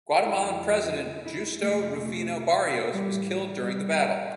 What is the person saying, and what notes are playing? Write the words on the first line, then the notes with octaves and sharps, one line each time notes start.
Guatemalan President Justo Rufino Barrios was killed during the battle.
F2 D3 F3 E4
E4
F2 C3 F3 A3
A2 E3 G3
G3